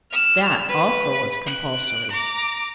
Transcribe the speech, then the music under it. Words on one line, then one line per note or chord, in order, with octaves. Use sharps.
That also was compulsory.
E6 F6
B4
F#6 D7
A#5 D6